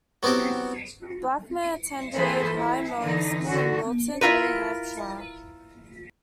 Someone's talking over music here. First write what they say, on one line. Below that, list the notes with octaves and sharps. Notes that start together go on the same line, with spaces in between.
Blackmer attended High Mowing School in Wilton, New Hampshire.
F#3 B3 C4 E4 G4
E3 A#3 G#4 A4 B4 C5
E4
D3 E3 D#4
D3 F#4
E4 F4 A#4 B4